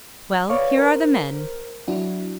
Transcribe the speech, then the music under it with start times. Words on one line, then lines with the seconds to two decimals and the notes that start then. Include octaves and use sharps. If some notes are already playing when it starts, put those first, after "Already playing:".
"Well, here are the men."
0.49 B4 C#5 D5 F5 C#6 D6
0.78 A#4 C5
1.88 F#3 D4 E4 F#4